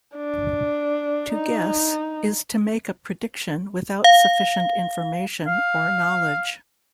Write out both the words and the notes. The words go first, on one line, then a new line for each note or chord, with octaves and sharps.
To "guess" is to make a prediction without sufficient information or knowledge.
D4
D#4
F5
F5